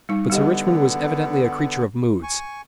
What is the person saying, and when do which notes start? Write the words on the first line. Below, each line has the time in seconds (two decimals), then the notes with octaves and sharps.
But Sir Richmond was evidently a creature of moods.
0.09 G3 D#4
0.30 D3 G3 B3 G4 D#5
2.23 G#5 C#6